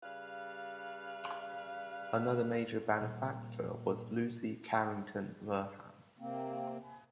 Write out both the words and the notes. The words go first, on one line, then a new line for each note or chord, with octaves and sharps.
Another major benefactor was Lucy Carrington Wertheim.
C#3 G3 B4 F5
A#2 G3
C3 A#3 C4